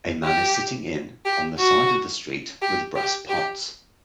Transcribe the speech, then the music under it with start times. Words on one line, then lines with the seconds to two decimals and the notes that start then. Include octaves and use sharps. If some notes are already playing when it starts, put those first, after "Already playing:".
A man is sitting in on the side of the street with brass pots.
0.24 G4
1.25 G4
1.59 F#4
2.62 G4
2.96 G4
3.29 G4